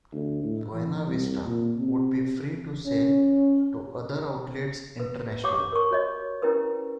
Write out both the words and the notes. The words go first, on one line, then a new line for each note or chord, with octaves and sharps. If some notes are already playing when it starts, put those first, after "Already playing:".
Buena Vista would be free to sell to other outlets international.
D2
A2
E3
C2
A#2
C3
C#4
B4
G4 C#5 F#5 C#6 D6
A#4 C#6
F#4 C#5 D#5
C#4 E4 G4 A#4 B4